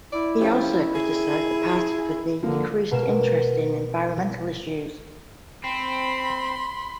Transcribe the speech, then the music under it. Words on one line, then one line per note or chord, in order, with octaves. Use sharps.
He also criticised the party for its decreased interest in environmental issues.
E4 D5
F3 C#4 G4
G#4
D3 F3 A#3
B2 A#3 E7
C4 B5 C6